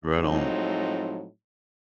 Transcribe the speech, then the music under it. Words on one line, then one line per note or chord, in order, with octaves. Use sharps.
Right on.
A2 F3 F#3 G#3 C4 D#4